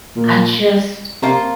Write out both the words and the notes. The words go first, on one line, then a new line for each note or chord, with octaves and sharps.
I just,
A#2
C3 F3 A#3 F4